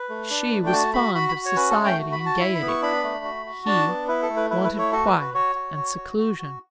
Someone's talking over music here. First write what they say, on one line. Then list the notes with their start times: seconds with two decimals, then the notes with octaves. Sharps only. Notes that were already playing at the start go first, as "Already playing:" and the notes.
She was fond of society and gaiety, he wanted quiet and seclusion.
Already playing: B4
0.09 A3
0.30 D4
0.52 A3
0.66 G5
0.73 F#4 A5
0.94 F#4 B5
1.15 F#4 B5
1.29 B5
1.36 F#4
1.45 C#5
1.56 C#4 B4
1.70 A4
1.77 A3
1.85 G5
1.99 F#4
2.12 B5
2.20 F#4
2.26 A5
2.40 E4 B5
2.55 B5
2.62 B3
2.68 C#6
2.82 D4 B5
3.04 A3
3.25 F#4
3.46 F#4
3.66 D4 A5
3.87 B3
4.08 E4 B4
4.23 A4
4.30 A3
4.36 B4
4.50 E4 B4
4.65 B4
4.71 A3
4.78 C#5
4.92 F#4 A4
5.06 B4
5.13 F#4
5.20 B4
5.34 F#4 C#5
5.55 F#4
5.76 F#4
5.97 F#4
6.18 F#4
6.39 F#4